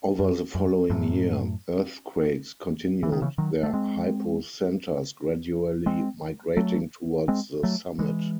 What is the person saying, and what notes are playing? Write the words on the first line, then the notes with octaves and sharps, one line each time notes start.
Over the following year, earthquakes continued, their hypocentres gradually migrating towards the summit.
F#2
F#2
F#2 A2
E3
D#3
C#3 E3
D#3 F#3
A3
G#3 C4
G#3 C4
F#3 A3
G#3 C4
F#3 A3
E3 G#3